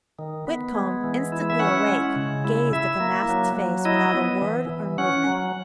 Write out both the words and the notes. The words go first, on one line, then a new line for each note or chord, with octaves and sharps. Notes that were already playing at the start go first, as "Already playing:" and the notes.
Whitcomb, instantly awake, gazed at the masked face without a word or movement.
D#3
B3
G#3
E3
E4
E5
C#4 F#5
G#3
C#3
E4
E4 E5
A#3
F#3
F#3
E4 D#5
B3
E3
E3
C#4 F#5
F#3